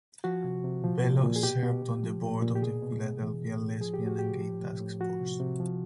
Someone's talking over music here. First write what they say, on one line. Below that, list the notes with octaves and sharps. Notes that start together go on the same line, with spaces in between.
Bello served on the board of the Philadelphia Lesbian and Gay Task Force.
F3 F#4
C3
C3
F3
A#2
A#2
G#4
B2 G4
B2
B2
F3
A#2
A#2
G4
B2 G#4
B2
B2
E3
A2
A2
F3 G#4
G4
A2
F#4
A2 G4
F3
A2
A2
F3 F#4
C3
C3
F3